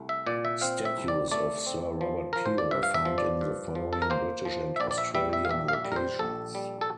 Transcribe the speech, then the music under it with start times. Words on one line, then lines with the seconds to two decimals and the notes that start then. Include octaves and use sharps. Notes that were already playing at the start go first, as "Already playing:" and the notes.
Statues of Sir Robert Peel are found in the following British and Australian locations.
Already playing: C2 A3
0.09 E5
0.26 A#2 D5
0.45 E5
0.61 C4 F5
0.85 E5
0.97 C2
1.08 D5
1.31 A3 D5
1.66 C4
2.01 F3
2.33 F3 A#4
2.46 C5
2.58 D5
2.71 G2 E5
2.83 F5
2.94 E5
3.05 F3
3.18 D5
3.41 G2
3.75 F3
3.93 A4
4.02 A#4
4.10 A#3 C5
4.45 F3
4.76 E5
4.80 A#1 D5
4.91 D5
4.98 E5
5.15 G3 E5
5.33 E5
5.45 F5
5.49 A#1 E5
5.68 F5
5.73 E5
5.85 G3
5.92 A#4
5.96 C5
6.19 A#1 A4
6.55 G3
6.81 A4